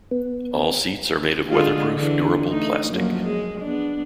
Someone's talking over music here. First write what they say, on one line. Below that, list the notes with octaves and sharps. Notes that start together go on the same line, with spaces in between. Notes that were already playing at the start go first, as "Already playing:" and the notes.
All seats are made of weather-proof durable plastic.
B3
D3 G#3 F4
D3 E3
A3 D#4
F#2 F3 A#3
G#3
B3 D4